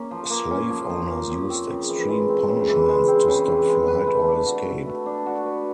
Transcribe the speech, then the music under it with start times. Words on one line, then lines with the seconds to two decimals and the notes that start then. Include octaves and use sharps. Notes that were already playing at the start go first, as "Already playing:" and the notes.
Slave owners used extreme punishments to stop flight, or escape.
Already playing: A#3 C#4
0.11 F3
0.30 A#3
0.51 C#4
0.70 F3
0.90 F3
1.10 A#3
1.30 C#4
1.49 C4
1.70 C#3
1.89 E3
2.09 G#3
2.29 C4
2.48 C#3
2.68 E3
2.89 G#3
3.08 C4
3.28 C#3
3.48 E3
3.68 G#3
3.87 B4
4.07 A3
4.28 D4
4.46 F#4
4.66 B4
4.86 A3
5.06 D4
5.26 F#4
5.46 B4